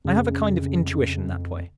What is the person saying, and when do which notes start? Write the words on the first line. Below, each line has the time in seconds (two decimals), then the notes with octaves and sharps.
I have a kind of intuition that way.
0.05 F2 C#3